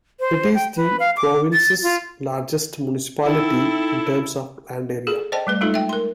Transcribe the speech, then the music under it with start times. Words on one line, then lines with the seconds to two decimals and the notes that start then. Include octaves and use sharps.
It is the province's largest municipality in terms of land area.
0.20 C5
0.55 G5
0.76 B4
1.00 F5
1.17 D6
1.53 A6
1.82 F4
3.24 D#4 E4 A4 G5
5.07 G#4 A4
5.32 C5 D5 D#5 G5 A5
5.47 G3 A3 B4
5.61 G#3 A3 D#4 F4 A4
5.74 E5 G5
5.89 A#4 C6